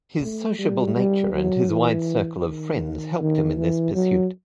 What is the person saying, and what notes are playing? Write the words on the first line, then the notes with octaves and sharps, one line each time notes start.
His sociable nature and his wide circle of friends helped him in this pursuit.
A3
G3
G3
F#3
E3
D#3
D#3
E3
F#3